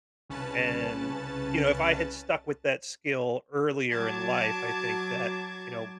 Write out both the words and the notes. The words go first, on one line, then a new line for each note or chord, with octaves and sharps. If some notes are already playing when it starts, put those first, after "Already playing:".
And, you know, if I had stuck with that skill earlier in life, I think that, you know,
C2 C#3 C#4 B4 A5 A6
F#3 A5 D6 G#6